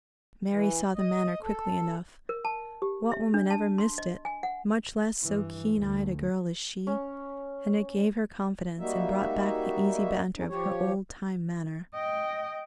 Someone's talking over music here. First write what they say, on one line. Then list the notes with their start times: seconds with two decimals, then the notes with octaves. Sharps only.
Mary saw the manner quickly enough--what woman ever missed it, much less so keen-eyed a girl as she--and it gave her confidence, and brought back the easy banter of her old time manner.
0.51 E3
0.95 D#5
1.43 A4
2.29 A#4
2.45 A5
2.82 G4
3.12 E5
3.34 D4
3.50 A5
3.78 C6
3.98 D#5
4.25 G#5
4.43 F#5
5.23 G2 E3
5.77 D2
6.87 C#4
8.79 G3 A#3 D#4 F#4 E5
10.36 D3 F3 G#3 C#4 D#4
10.49 F3 G4 C#5
11.95 D#5 G5